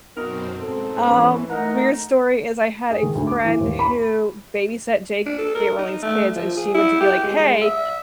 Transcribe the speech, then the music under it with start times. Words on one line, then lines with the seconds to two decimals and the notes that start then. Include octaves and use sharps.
um, weird story is, I had a friend who babysat J.K. Rowling's kids, and she went to be, like, "Hey,
0.17 F#2 B2 C4 D#4 F4 F#4 A#4
0.57 G#2 C4 A4
1.06 E3 C#4 B4
1.50 A3 D#4 A#4 F#5 A#5
2.91 G#4
3.03 D#3
3.15 D2
3.27 D6
3.44 E3
3.60 D#2
3.79 B5
5.26 D4
5.38 A4
5.55 A#4
5.78 D#4
6.02 A3
6.35 F3
6.57 G#4
6.74 E4
7.00 G4
7.23 G#3
7.39 G#3
7.61 E5